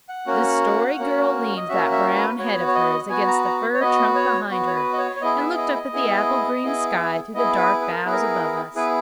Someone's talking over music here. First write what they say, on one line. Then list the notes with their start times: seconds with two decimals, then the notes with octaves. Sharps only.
The Story Girl leaned that brown head of hers against the fir trunk behind her, and looked up at the apple-green sky through the dark boughs above us.
0.09 F#5
0.27 A#3 C#4 F#4
0.98 A#3 C#4 F#4
1.57 D#5
1.69 A#3 C#4 F#4 E5
1.91 E5
2.16 B4
2.38 B3 F#4 C#5
2.67 C#5
2.75 D#5
3.09 B3 F#4 G#5
3.27 A#5
3.45 A#5
3.74 C#5
3.80 B3 F#4 D#5
4.15 C#5
4.51 B3 F#4
4.67 C#5
4.75 B4
4.93 D#5
4.98 C#5
5.16 C#5
5.22 B3 E4 G#4 D#5
5.39 E5
5.57 D#5
5.75 D#5
5.93 B3 E4 G#4
6.63 B3 E4 G#4
7.34 B3 E4 G#4 D#5
7.57 B4
7.81 B4
7.91 A#4
8.05 B3 E4 G#4
8.12 A#4
8.75 B3 E4 G#4 B4